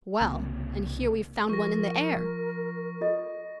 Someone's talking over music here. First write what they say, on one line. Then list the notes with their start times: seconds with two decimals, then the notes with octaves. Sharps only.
"Well; and here we've found one in the air!"
0.21 C2 C#3 A#3 C4
1.49 F3 A#4 C#6 A#6
3.01 F4 A4 D#5